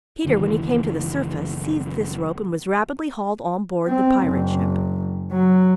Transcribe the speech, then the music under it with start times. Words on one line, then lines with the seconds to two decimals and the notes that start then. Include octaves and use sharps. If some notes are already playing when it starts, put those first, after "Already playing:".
Peter when he came to the surface, seized this rope and was rapidly hauled on board the pirate ship.
0.24 F#1 D#3 E3
3.87 C4
4.24 F#1
5.32 F#3